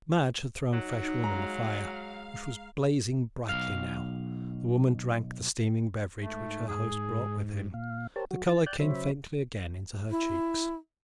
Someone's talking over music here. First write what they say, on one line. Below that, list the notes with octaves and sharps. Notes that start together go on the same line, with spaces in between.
Madge had thrown fresh wood on the fire, which was blazing brightly now. The woman drank the steaming beverage which her host brought with him. The colour came faintly again into her cheeks.
F#3 D#4
G#3 F5 A#5
B1 F5
G#2 A3
G#4
A#2 F5
G4 A#4 C5 C#5 A5
F#3 F#4
E3 A6
D5 G5 A5 F#6 G6
C#3 F#3 C5 C#5 E5 B5
E4